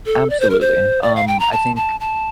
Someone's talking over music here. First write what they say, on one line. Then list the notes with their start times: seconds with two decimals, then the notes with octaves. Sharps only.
absolutely. Um, I think
0.06 A4
0.30 D5
0.40 C5
0.50 A#4
0.61 C5
1.02 D5
1.16 F5
1.27 G5
1.40 A#5
1.52 A5
1.76 A5
2.00 A5